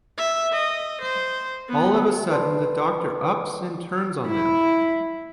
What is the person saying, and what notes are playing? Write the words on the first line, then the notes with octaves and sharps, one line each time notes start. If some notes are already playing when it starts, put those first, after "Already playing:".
All of a sudden the doctor ups and turns on them.
E5
D#5
C5
B3
B4 D5 A5 C6
E4